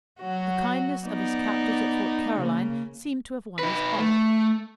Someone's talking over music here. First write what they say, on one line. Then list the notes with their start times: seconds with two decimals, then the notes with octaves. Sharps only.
The kindness of his captors at Fort Caroline seemed to have won his heart.
0.20 F#3 F#4
1.05 B3 D#4 D5
2.36 C#3 A#3
3.59 D#4 B4
3.99 A3